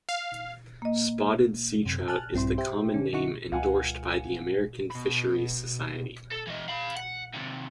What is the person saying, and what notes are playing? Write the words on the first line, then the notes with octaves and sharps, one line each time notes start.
Spotted seatrout is the common name endorsed by the American Fisheries Society.
F5
A#3 D#5
F#2 C3
G#5 A5 F6 F#6
A#1 G2 C4 E4 C6
G4 C5 E5 G5
D3 C#4
D3 D#4 E4 F#5 C#6 C#7
C#2 F5 F#5 G#5
B2 B5
A4
E3 D#5
F5 B5
F#5
D#2 C3